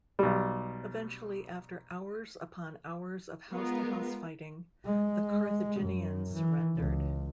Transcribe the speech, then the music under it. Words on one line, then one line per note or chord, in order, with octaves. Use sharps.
Eventually after hours upon hours of house-to-house fighting, the Carthaginians surrendered.
B1 G3
G#3 B3 F4 A#4
G#3
F#2
E3
C#2